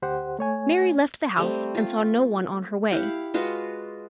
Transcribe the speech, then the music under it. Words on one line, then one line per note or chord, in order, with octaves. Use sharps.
Mary left the house, and saw no one on her way.
D2 G4 C5 F#5
A3 C#5 G#5
G3 A3 C4
F4
E4 G4 F5 F#5
G#3 F4 F#4 B4